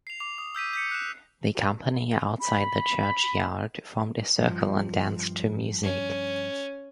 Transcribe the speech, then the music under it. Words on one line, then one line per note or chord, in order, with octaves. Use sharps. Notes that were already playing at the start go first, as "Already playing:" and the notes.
The company outside the churchyard formed a circle and danced to music.
C7 F7
D6 F7
D#6
E6 G6 B6 D#7
G6 B6 C#7
F#6 G6 E7
B5
G2 F3
C#4